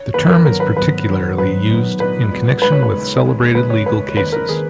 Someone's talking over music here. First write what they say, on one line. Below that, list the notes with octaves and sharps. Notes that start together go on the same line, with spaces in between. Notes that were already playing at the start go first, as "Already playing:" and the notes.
The term is particularly used in connection with celebrated legal cases.
Already playing: C#5
F#2 D#3 A#3 B4
A#4
G#2 F#3 B3 A#4
B4
G#2 F#3 B3 B4
G#2 F#3 B3
G#2 F#3 B3 B4
A#2 G#3 B3 D#4
A#2 G#3 B3 D#4 B4
A#2 G#3 B3 D#4
A#2 G#3 B3 D#4 B4
C#5
B4
D#2 C#3 G#3
D#2 C#3 G#3
D#2 C#3 G#3 B4
C#5
D#2 C#3 G#3 B4
F2 D#3 A#3 B4
A#4
D#3 A#3 G#4